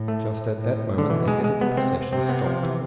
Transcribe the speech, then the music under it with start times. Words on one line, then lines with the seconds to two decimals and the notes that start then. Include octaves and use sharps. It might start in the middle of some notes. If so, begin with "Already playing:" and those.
Just at that moment the head of the procession stopped.
Already playing: A2
0.08 A3
0.59 A2
0.98 D3
1.10 B2 E3
1.28 G#3
1.44 G#3
1.61 C3 B3
1.77 C4
2.12 C3 C4
2.29 B3
2.46 F3
2.63 E3